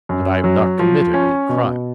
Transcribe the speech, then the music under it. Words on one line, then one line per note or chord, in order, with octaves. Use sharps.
And I have not committed any crime.
F#2
F#3
F3
C#4
B2